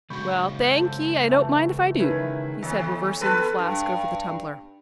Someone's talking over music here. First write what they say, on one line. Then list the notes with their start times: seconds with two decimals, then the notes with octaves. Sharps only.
"Well, thank ye, I don't mind if I do," he said, reversing the flask over the tumbler.
0.10 C#3 G#3 F#4 B5 C#6 G6
0.74 A4 C5
1.29 E3 A3
2.00 D#3 C#4 E4 B4 A#5
2.63 D#2
3.21 B3 A4 B4
3.59 G2